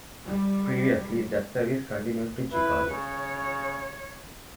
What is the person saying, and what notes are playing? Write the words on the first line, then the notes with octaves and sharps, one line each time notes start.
Previously, that service continued to Chicago.
G3
E4 B4
C#3 C#5